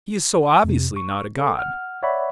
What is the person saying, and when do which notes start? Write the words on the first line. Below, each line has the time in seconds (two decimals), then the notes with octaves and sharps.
He is so obviously not a god.
0.64 F2 C3
0.96 C#6
1.39 A4
1.58 F#5 F6
2.03 C#5 D5 E5 F#5 B5 C#6